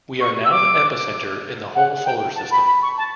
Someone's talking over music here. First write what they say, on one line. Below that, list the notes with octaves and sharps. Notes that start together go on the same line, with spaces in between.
We are now the epicenter in the whole solar system.
C#6
E6
D6
F#5
G5
A5
B5
B5
C#6
A5